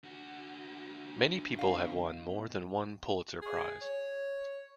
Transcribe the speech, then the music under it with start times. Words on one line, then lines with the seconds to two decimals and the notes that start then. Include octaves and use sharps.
Many people have won more than one Pulitzer Prize.
0.04 D3 F#4
1.59 B2 F5
3.42 G#4
3.82 C#5